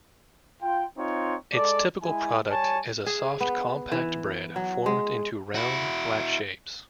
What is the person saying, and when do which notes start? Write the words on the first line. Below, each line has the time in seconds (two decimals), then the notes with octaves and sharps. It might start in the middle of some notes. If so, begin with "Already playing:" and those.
Its typical product is a soft compact bread formed into round, flat shapes.
0.62 F4 G5
0.98 C4 D#4 F4 C#5
1.53 G#3 A4 D5
2.02 G#3 E4 G#5
2.50 G3 C#5 G#5 A5
3.06 G#4
3.41 B3
3.92 E3
4.56 F#3
4.86 G#3
5.55 E4 F#4